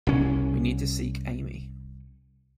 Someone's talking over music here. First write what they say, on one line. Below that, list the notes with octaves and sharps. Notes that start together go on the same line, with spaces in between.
We need to seek Amy.
C2 C#4